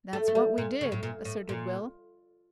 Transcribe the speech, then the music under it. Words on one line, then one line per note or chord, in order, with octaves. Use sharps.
"That's what we did," asserted Will.
A3
A3
G3
A#2
C#3
A2
A#2
A2
A#2